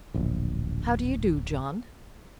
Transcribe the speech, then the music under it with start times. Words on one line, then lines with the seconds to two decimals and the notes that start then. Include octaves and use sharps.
"How do you do, John?"
0.14 D1 A#1